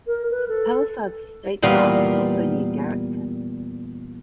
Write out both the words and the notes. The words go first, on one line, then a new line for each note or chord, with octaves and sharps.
Palisades State Park is also near Garretson.
A#4
B4
A4
E2 A#2 G3 B3 F5